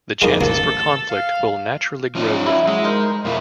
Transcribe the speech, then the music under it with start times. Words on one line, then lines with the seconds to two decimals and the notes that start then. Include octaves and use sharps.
The chances for conflict will naturally grow with it.
0.22 G#3 A#3 D#4
0.41 A1 A#3 A4
1.10 F5
2.15 F3 C#4 D#4
2.46 E4
2.68 F#3 G#3
2.84 D#4 A#4 C5
3.25 F2 B2 A#3 E4